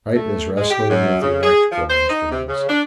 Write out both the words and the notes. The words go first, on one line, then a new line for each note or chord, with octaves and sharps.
Wright is wrestling with the electrical instruments.
A3
G#3
G4
F#2
C#3
G#4
F3
C5
D#4
C3
C#3
D4